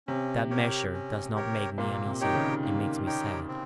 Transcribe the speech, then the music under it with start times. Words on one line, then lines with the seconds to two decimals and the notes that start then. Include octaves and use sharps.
That measure does not make me uneasy, it makes me sad.
0.07 C3 C#4
0.50 G4 A#4 C#5
0.94 C#4
1.35 G4 A#4 C#5
1.77 A#2 A#3
2.06 C3
2.21 D#3 D#4 G4 C#5 G5
2.35 C#3
2.63 D#3 A#3
3.06 D#4 G4 C#5 G5
3.48 C4